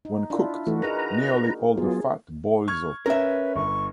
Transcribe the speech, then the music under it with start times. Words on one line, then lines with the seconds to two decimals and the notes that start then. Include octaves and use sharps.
When cooked, nearly all the fat boils off.
0.05 D#4
0.30 D4 E4 F4
0.67 E3 A3 F#4
0.82 D#4 G#4 A#4 B4 A#5
1.77 F#3 B3 F4 G#4
2.68 C#6 F6 G#6
3.06 C#4 A#4 B4 E5
3.55 G1 C#6